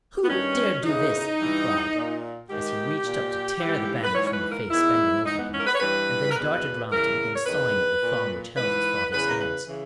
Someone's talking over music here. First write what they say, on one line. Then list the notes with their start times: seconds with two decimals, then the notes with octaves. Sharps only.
"Who dared do this?" he cried, as he reached up to tear the bandage from the face bending over him, and then darted round to begin sawing at the thong which held his father's hands.
0.24 B3
0.28 G2 D#3 C#4
0.84 E2 C#3 E3 D#4
1.39 G2 E3
1.94 A#2
2.50 G#2 D#3 G4
3.04 A#2
3.60 G#2 E3
4.03 B4
4.15 G#2 E3 C#5
4.27 C#5
4.33 B4
4.52 A#4
4.70 E2 D#3 E4
5.25 G#2 E3 D#4
5.39 B3
5.53 C#4
5.60 A#4
5.67 B4
5.74 C#5
5.80 G2 E3 B4
6.31 A#4
6.35 E2 B2 B4
6.91 E2 C#3 E3 A#4
7.36 C#5
7.46 E2 D#3 B4
8.02 A#2
8.56 G#2 E3 B4
9.12 E2 C#3 E3 B4
9.28 A#4
9.39 B4
9.67 C#3 E3